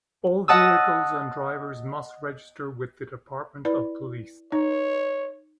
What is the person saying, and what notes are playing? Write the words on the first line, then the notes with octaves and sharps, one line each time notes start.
All vehicles and drivers must register with the Department of Police.
D#5 F#5 A5 D#6 E6
E4 B4 D5
D#4 C#5